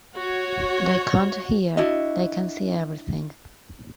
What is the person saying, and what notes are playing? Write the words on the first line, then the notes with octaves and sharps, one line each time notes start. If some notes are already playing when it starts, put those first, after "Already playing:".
They can't hear, they can see everything.
F#4 C#5
D4 E4 F#4 D#5